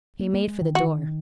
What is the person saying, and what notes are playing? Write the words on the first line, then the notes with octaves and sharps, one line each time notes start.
He made for the door.
A#3
A#3
G#3
D#3
F#4